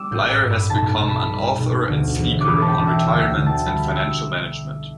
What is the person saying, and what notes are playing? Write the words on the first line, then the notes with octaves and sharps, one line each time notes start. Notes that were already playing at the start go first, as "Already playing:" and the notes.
Bleier has become an author and speaker on retirement and financial management.
Already playing: G3 D6 E6
A1 G6
E6
G2
B5
B1 A5
A5
B2
B5
G3
B1
D2
E1
D6
E1 B5
A5
G5
E1
E5
D2 E5
G5
D3
A5
G3 B5
E6